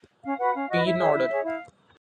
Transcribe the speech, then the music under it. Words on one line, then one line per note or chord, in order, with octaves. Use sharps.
Be in order.
C#4 F5
F#4 B4 F#5
C#4 F5
F#4 B4 D#5
E4 E5
G#4 C#5
E4
G#4 C#5
E4 F5